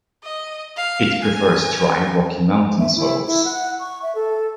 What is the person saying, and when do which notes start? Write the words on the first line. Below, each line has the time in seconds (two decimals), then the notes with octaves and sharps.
It prefers dry rocky mountain soils.
0.23 D#5
0.77 F5
1.23 G#5
2.79 E5
2.96 E4
3.27 E4
3.45 F#5
3.80 C#6
4.02 E5
4.15 A4